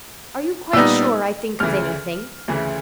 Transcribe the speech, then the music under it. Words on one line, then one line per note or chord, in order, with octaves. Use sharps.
"Are you quite sure I think of anything?"
A#2 G3 B3 D#4 E6
D2 C#3 E3 F6
D2 C#3 E3